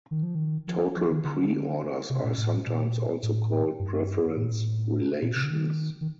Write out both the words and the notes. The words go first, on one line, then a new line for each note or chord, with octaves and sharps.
Total preorders are sometimes also called preference relations.
D#3
F3
D#3
F3
F3
D#3
D3
C3
A#2
A2
A#2
A2
G2
A2
A#2
A2
A#2
C3
D3
D#3
D#3